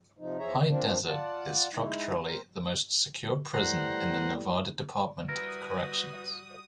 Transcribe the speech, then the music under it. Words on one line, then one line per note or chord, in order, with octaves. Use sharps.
High Desert is structurally the most secure prison in the Nevada Department of Corrections.
C3 F3 D#4
E2 F3 G#4 C#5 E5 A#5
F3 A#3 C4 D4
F4 D5 F#5 A5
G#3 D#4 E4
C4 A#4 C5
A2 E3 G3 C5 F#5 A#5
G3 E4 F#4 A#4 B4 D#6